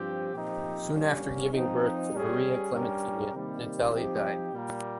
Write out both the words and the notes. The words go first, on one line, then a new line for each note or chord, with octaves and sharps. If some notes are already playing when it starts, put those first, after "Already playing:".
Soon after giving birth to Maria Klementyna, Natalia died.
Already playing: G2 F3 C4 G4
A#2 F3 C4 D#4 G4
G2 G3 A#3 C#4
F3 C4 D#4
G3 C#4 G#4
G2 G3 C#4 G4 A#4
C3 D#3 G3 A#3
F3 C4 D#4 G4
A#2 G3 A#3